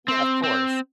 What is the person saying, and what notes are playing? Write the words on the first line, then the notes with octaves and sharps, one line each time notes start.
Yeah, of course.
C4
C4